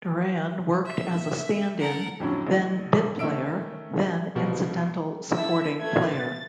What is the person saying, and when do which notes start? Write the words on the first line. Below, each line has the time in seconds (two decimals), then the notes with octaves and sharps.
Doran worked as a stand-in, then bit player, then incidental supporting player.
0.86 E5
1.79 A4 A#4 F#5
2.20 F2 A2 D3 F#3 C#4
2.47 A1
3.19 D#3 A3 C#4 E5 E6 D7
4.35 C2 B2 F3 B3
5.30 E4 A4 E5 E6
5.79 A3 F4 B4 G#6
6.10 A6